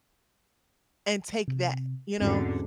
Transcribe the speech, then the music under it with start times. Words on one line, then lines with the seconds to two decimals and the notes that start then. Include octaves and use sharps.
And take that, you know,
1.48 C3
2.20 E2 G#2 D3 C4 C#4 F#4